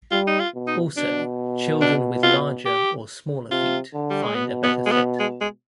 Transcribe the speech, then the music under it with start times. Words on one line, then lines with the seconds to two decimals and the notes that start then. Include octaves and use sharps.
Also, children with larger or smaller feet find a better fit.
0.12 G3 F4
0.27 D#4
0.40 F4
0.55 B2
0.67 D#4
0.96 B2 D4
1.81 D4
2.23 F4
2.66 G4
3.50 C3 F4
3.93 D3
4.10 G3
4.23 G#3
4.35 B2 B3
4.64 B3
4.86 G#3
4.92 B3
5.20 G#3
5.41 G#3